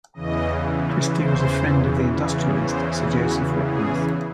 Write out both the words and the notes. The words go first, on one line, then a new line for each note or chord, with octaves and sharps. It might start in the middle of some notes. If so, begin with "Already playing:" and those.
Christie was a friend of the industrialist Sir Joseph Whitworth.
E2 C#3 E3 D#5
C5
E2 C#3 E3
C5
F#4
G#4